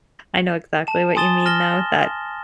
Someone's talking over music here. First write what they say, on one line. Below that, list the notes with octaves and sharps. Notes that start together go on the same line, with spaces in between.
I know exactly what you mean, though, that,
A5 E7
G#5 C6 D#6 A6 E7 G7
F6 A#6 E7 G7